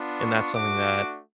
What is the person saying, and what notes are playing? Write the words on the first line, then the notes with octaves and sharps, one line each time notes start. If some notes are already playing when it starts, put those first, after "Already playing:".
And that's something that
Already playing: B3 D4 F4
C#6
A3 D4 F#4 D6